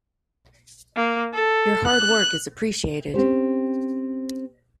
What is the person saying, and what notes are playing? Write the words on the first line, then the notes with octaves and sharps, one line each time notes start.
Your hard work is appreciated.
A#3
A4
F#6
C4 C#4 G4 C5